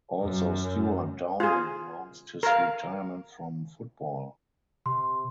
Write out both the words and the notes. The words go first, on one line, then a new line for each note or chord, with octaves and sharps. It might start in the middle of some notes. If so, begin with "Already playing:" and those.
Also Stewart Downing announced his retirement from football.
F#2
F4 G#4
A#4 F5
C3 C6